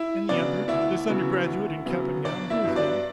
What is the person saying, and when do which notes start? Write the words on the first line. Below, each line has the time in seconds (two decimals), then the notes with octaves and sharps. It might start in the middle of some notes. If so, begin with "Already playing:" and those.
"And the other--this undergraduate in cap and gown--who is he?"
Already playing: E4 E5
0.29 C#3 F#3 B3 D4 D5
0.68 D2 E4 E5
1.08 C#3 F#3 B3
1.46 D2
1.86 C#3 F#3 B3
2.24 G1 D4 D5
2.50 E4 E5
2.64 G2 F#3 B3
2.76 D4 D5